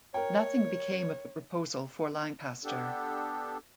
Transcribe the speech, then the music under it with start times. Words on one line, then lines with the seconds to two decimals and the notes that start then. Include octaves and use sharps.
Nothing became of the proposal for Lancaster.
0.14 A#4 C#5 G5
2.64 B3 D4 G4 A4